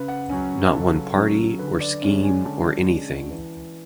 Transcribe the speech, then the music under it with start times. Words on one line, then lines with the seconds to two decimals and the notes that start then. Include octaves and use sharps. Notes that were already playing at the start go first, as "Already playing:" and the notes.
Not one party, or scheme, or anything.
Already playing: C#3 B4
0.08 F#5
0.29 F#3 C#4 G#5
0.73 C#3 A4
1.16 F#3 C#4
1.59 D3 B4
1.80 D5
2.02 G#3 C#4 C#5
2.23 G#5
2.45 D3 A5
2.88 G#3 C#4
3.30 E3